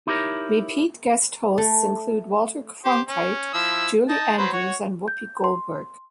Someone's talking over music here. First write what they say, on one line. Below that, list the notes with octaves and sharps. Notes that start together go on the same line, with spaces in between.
Repeat guest hosts include Walter Cronkite, Julie Andrews and Whoopi Goldberg.
D#4 E4 G4 G#4 A#4 C#5
A3
G4 C5
C#4
F3 E4 E6
D#4 A5
F#3 B4 C5
F#4 C#5
G6
C6